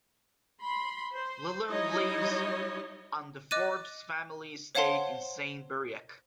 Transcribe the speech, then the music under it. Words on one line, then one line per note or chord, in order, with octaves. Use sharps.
Lalonde lives on the Forbes family estate in Saint-Briac.
B5 C6
C5
F#3 G3 D#4 E4 C#5 D#5
D#5 D6 F#6 A6 D#7
C5 C#5 F5 F#5 A5 C6